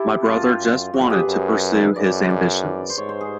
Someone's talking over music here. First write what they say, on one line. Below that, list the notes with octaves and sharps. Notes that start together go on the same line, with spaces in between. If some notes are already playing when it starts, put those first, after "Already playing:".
My brother just wanted to pursue his ambitions.
Already playing: E4 G4 A4
F#2 F4
F#2
F2 F#4
G4
G#4
B4
F#2
F#2 D5
D5
C5
G#2 C#5
C5
G#4